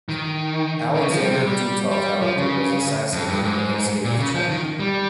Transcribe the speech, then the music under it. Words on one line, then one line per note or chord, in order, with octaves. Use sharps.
Alexander Dutov however was assassinated when he escaped to China.
D#3
D#3
C#3
F3
G3
C3
G3
G3
F3
C#3
F2
G2
G#2
A#2
C#3
F3
D#3
G3